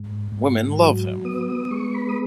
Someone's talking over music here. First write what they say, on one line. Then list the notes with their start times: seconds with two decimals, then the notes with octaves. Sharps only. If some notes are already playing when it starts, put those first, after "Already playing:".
Women Love Him!
Already playing: G#2
0.32 G#2
0.78 F#3
1.25 B3 D#6
1.48 D#6
1.71 G#3 C#6
1.94 B5
2.09 D#6